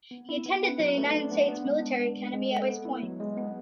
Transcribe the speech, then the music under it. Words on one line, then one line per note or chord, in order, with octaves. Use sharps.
He attended the United States Military Academy at West Point.
B3
E4
B3
B4
F#3
A3
D4
B3
B3
G#3
D4
G#3
G#3
G#3
A4
B3
E4
F#3
G#3
B3